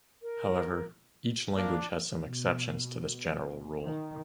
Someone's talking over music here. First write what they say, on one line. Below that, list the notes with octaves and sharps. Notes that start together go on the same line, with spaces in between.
However, each language has some exceptions to this general rule.
A#4
A#3 D4
B2
D#3